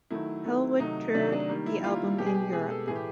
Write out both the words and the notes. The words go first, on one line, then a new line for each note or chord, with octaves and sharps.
Hellwood toured the album in Europe.
D#3 F#3 A3 E4
D#3 F#3 A3
C3 D#3 F#3 A3 D#4
C3 D#3 F#3 A3 D4
D4
D#3 G3 A#3
E4
D#3 G3 A#3 F4
B2 G#3 G4
G#4
G4
B2 G#3 G#4
A4
A2 E3 A3 G#4
G4